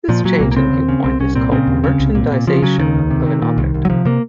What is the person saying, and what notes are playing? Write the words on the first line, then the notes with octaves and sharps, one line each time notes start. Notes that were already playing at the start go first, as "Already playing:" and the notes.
This change in viewpoint is called merchandization of an object.
A#2 F3
A#2 F#3
C2 A#3
A#3
C#3 C4
D#2
C#3
C2 C4
C2 C#4
A#2 C4
C#3 C4
D#2
C#3
C2
A#2
A#2
C#3 F3
C#3 F#3
D#2 D#3
C#2
C3
C3
A#2
C2
C2
F#3
C3 F3
C3 A#3